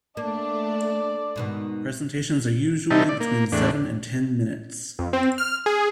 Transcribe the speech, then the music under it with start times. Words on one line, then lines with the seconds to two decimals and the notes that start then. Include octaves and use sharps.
Presentations are usually between seven and ten minutes.
0.17 A3 A#3 D4 D5
1.36 G#2 B2 D#3
2.90 C3 D#3 G3 D#4 E4 A5
3.09 D5
3.20 A#3
3.52 E2 A2 D4
4.99 F2
5.13 C4
5.38 F6
5.66 G#4